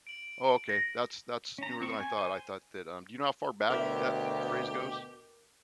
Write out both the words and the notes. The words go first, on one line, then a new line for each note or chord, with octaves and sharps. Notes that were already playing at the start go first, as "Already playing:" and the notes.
Oh, okay. That's that's newer than I thought. I thought that, um, do you know how far back that ph phrase goes?
D7 F#7
A#6
C#4 A#5
C4 C#6
G#5
C5 G#5
D2 B2 G4 A#4 E5